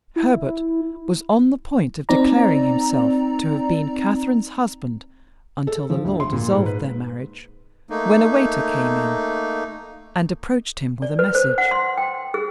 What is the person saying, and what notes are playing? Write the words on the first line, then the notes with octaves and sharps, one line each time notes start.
Herbert was on the point of declaring himself to have been Catherine's husband, until the law dissolved their marriage--when a waiter came in and approached him with a message.
E4
C4 D#4 D5 A#5
A4
F3
D2
C6
A#2
G#2
B4
A3 A#3 D#4
D5
B4
C5
F#5
C6
G5
G#4